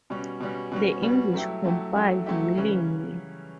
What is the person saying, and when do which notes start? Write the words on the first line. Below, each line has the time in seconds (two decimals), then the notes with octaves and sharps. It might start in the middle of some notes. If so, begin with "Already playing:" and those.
The English complied willingly.
0.10 B2 G3 C#4
0.40 B2 G3 C#4
0.72 B2 G3 C#4
1.02 B2 G3 C#4
1.33 F#3 A3 E4 G4
1.64 F#3 A3 E4 G4
1.96 F#3 A3 E4 G4
2.26 F#3 A3 E4 G4
2.57 C#3 E3 G3 C#4